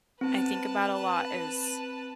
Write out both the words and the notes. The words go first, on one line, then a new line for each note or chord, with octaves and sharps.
I think about a lot is,
C4 B4 A5